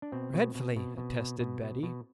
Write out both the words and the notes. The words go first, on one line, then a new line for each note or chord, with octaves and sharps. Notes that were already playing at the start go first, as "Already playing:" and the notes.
"Dreadfully," attested Betty.
D4
B2 C4
B2
B2
B2
B2
B2
B2
B2
B2